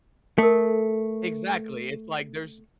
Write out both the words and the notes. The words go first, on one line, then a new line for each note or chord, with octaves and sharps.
Exactly, it's, like, there's
A3 A4 A#4